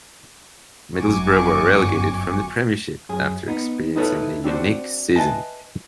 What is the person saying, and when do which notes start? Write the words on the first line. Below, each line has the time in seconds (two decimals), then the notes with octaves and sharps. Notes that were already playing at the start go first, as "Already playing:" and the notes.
Middlesbrough were relegated from the Premiership after experiencing a unique season.
0.97 G1 F#2 F#4 G#5 C#6 D6
3.09 F#2 G#4
3.48 B3 D#4
3.96 D#4 E4 A4 B4 C#5
4.44 C4 D4 F#4 C5
5.16 B4 D#5 E5 G#5 A5